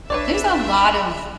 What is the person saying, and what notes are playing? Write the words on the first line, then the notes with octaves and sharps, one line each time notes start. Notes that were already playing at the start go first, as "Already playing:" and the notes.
There's a lot of
A#1 D4 B4 C#5 D5 E5